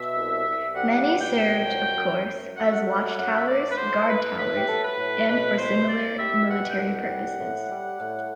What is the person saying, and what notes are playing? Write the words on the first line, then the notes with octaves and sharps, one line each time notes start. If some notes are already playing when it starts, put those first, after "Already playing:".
Many served, of course, as watchtowers, guardtowers, and for similar military purposes.
Already playing: B2 E5
C2
C2
G3 F#5
B2
G5
C2
F#3
F#2
F#2
A3 F#5
E5
F#5
F#3 F#5
F#2 F#5
E5
F#3 D5
B4
A2 C5
A2 B4
A3 B4
G4
F#3 A4
B4
A2
B2 B4
C2 C5
C2 D5
G3 E5
B2 F#5
G5
C2 F#5
G3
A2
G3
A2